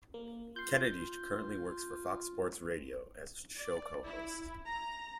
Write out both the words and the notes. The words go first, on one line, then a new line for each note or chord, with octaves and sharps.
Kennedy currently works for Fox Sports Radio as show co-host.
A#3
F4 C6 G6
D5
E4
A#5